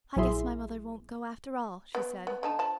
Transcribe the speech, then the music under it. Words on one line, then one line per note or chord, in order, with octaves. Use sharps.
"I guess my mother won't go, after all," she said.
A#1 F#3 E4 G#4 E5 C6
B3
B3
D3 D#4 A5
F3 A5